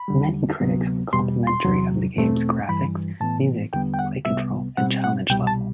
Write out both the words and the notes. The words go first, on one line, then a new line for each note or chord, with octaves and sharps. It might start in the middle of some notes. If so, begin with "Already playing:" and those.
Many critics were complimentary of the game's graphics, music, play control, and challenge level.
Already playing: B5
E2 D3 G3
D2 C3 F#3 B3
E2 B2 G3 C6
C6
E2 C3 F#3
E2 B2 A3 C4
G2 E3 G3 B5
A2 E3 B3 A5
E2 D3 G3 B3 G5
G5
F#5
C2 C3 G3 B3 E5
B2 G3 C4 F#5
F#5
C2 B2 G3 G5
A5